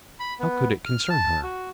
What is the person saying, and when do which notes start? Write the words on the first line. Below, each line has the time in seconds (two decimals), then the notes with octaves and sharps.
How could it concern her?
0.20 B5
0.40 B3
0.86 F6
1.09 A5
1.43 F#4